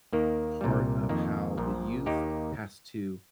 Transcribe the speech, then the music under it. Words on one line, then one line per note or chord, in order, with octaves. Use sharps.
part of how the youth has to,
D#2 D#3 A#3
C2 A#2 G3
F2 D#3 A#3
A#1 A#2 F3
D#2 D#3 A#3 D#4 G4